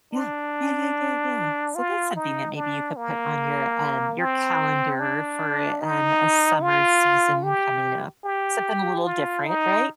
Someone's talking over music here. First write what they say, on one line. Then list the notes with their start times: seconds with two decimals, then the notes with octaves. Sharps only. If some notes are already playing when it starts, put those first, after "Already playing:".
Yeah. Yeah, yeah, yeah, yeah. So that's something that maybe you could put on your, um, your calendar for, um, a summer season coming up. Something a little different. Right?
0.13 D4
1.75 F4
2.16 D#4
2.56 D4
2.97 A#3
4.19 C4
5.00 D4
5.81 D#4
6.62 F4
7.43 G4
8.24 G4
9.05 F4
9.45 D#4